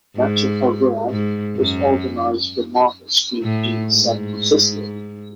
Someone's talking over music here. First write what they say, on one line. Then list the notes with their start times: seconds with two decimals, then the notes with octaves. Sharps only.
Much of her work was organized from Market Street in San Francisco.
0.16 G#2
1.10 G#2
1.56 F#2
3.43 A2
3.89 G#2